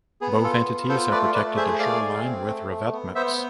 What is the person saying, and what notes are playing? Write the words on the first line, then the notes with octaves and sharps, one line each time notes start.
Both entities have protected their shoreline with revetments.
B3 G#4
F4 A4
B3
F4 A4 C5
A3 B4 D5
A3 B4 D5
G#4 C5 E5
A3 D5 F5
G#4
C4
A3
A3
B3
B3 C5 E5